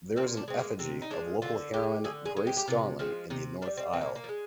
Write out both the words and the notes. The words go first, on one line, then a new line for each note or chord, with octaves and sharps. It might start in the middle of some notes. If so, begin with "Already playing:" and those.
There is an effigy of local heroine Grace Darling in the North Aisle.
A#2 C4
D4
G#3 C4
A#3
C3 C4
D#4
F3 G#3 D4
D3 F4
G#3 G4
D3 G#4
G#4
G#3
G4
G4
C3 F4
F3 G#3 C4
C3 D#4
D#3 D4
G3
C4
A#2 C4
A#3
A#3
F3
G#3